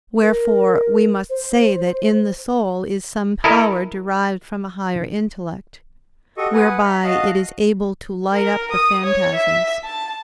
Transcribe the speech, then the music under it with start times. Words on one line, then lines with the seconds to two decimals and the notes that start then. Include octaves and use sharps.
Wherefore we must say that in the soul is some power derived from a higher intellect, whereby it is able to light up the phantasms.
0.22 A#4
1.30 C5
3.44 E4 A4 A#4 D#5
6.37 F#4 G4 A4 D#5 C#6 D#6
6.53 B4 F#5 G#5 D#6
6.84 E5 A#5
7.04 F#4 D#5 F5 A5 D#6 F#6
8.34 A#4
8.71 D#6
9.04 C#5
9.35 E5
9.84 A5